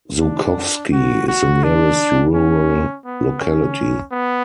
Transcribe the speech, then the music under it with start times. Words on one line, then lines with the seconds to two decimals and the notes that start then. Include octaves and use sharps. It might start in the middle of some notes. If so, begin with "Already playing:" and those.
Zhukovsky is the nearest rural locality.
0.21 D4
0.92 F#4
1.28 F#4
1.63 D4
2.34 C#4
3.05 B3
3.41 C#4
4.11 B3